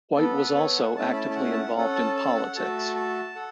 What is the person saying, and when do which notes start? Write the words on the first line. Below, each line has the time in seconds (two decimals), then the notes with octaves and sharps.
White was also actively involved in politics.
0.16 B3 A4
0.37 B4
0.57 C#5
0.76 F#5
0.96 A3 C#4 E4 A5
1.13 B5
1.16 A5
1.30 A5
1.36 F#5
1.52 A5
1.56 F#5
1.76 C#4 A4 F#5
1.96 A5
2.16 A5
2.36 F#5
2.55 A3 F#4 A4 A5
2.95 A5
3.35 A4 F#5